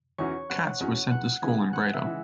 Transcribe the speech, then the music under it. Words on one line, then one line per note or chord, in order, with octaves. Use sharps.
Cats was sent to school in Breda.
E2 E3 C#4 F#4 C#5 C#6
F#1 F#5 F#6
E2 E3 C#4 F#4
E2 F#5 F#6
C#3 E3 G#3 B3 G#5 G#6
E2 F#5 F#6
E5 E6
C#3 E3 G#3